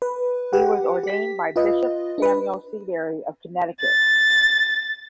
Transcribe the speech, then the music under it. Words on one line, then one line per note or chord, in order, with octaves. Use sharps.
He was ordained by Bishop Samuel Seabury of Connecticut.
B4
G4 B4 F#5
G4 B6
F4 B4 D#5
D4 B4
A6